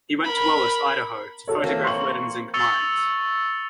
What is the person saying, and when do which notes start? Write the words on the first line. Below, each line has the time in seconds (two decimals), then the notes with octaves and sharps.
He went to Wallace, Idaho, to photograph lead and zinc mines.
0.24 A#4 B5
1.48 F#4 A4 C#5
1.64 E3 A#3 C4
1.85 C6 C#6 F#7
2.54 C#6 E6 A6 C#7 F7 G7